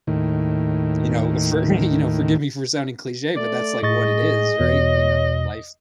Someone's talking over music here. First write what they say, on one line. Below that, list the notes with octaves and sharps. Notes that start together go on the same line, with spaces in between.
You know, for you know, forgive me for sounding cliche, but that's, like, what it is, right, you know, life
D#2 A2 D#3
A3 D5
A2 G#4 D#5 C#6 A6
E2 B2 C#5